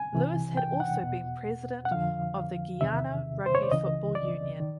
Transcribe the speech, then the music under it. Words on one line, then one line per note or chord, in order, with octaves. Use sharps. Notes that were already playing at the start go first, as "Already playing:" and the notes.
Lewis had also been president of the Guyana Rugby Football Union.
Already playing: G#5
C2 C3 E3
G5
F#5
E2 B2
F#5
F2 D3 F3 F5
E2 C3 D#3 E5
C5
C#5
D5
C#2 C#3 E3 D#5
D5
D#3